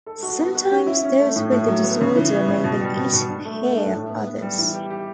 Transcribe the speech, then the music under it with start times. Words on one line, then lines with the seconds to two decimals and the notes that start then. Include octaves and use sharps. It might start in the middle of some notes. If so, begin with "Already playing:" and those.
Sometimes those with the disorder may even eat the hair of others.
0.06 A4
0.23 F#4
0.38 B3
0.55 F#4
0.71 C#4
0.86 E4
1.04 C#4
1.20 A3
1.36 A2
1.52 A2
1.68 F#3
1.84 B3
2.01 C#3
2.16 E3
2.33 B3
2.48 C#3
2.64 B2
2.81 G3
2.96 B2
3.13 B2
3.29 D4
3.45 A3
3.61 A3
3.77 D4
3.94 A2
4.10 B3
4.26 B3
4.42 G3
4.58 E3
4.74 G4
4.90 G4